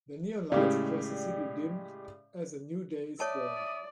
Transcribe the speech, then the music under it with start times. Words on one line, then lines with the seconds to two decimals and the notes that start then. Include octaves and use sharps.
The neon lights across the city dimmed as a new day is born.
0.52 A2 C#3 G#3 G4 D5
3.20 C#5 D5 E5 A5 D#6